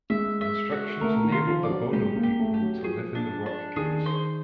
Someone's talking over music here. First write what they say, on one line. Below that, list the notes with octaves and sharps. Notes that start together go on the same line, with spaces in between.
The instructions enabled the Bono people to live in the rock caves.
G#3 E5
E5
F#4
A3 A#4
D#3
F4
F3
D5
F#3
G#3 G4
A#3
G4
A3
G4
F#3
F3 G#4
D4
D4
D#3 G#4
C5